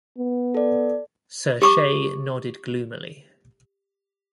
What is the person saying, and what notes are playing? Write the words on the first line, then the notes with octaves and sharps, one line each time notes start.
Sir Shay nodded gloomily.
B3
A4 D5
G4 C#6 D6